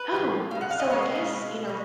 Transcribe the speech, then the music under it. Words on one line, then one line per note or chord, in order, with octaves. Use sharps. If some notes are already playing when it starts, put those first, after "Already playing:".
oh, so I guess, you know,
Already playing: B4
A#2 F3 G#3
B2 G#3 F5
F#5
F5
D#5
B2 G#3 C#5
D#5
F5
B2 G#3
B2 G#3